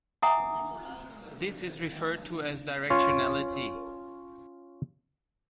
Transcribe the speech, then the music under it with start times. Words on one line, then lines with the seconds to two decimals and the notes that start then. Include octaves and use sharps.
This is referred to as directionality.
0.22 E5 F#5 G#5 A#5 D6 D#6
2.90 C#4 F4 C#5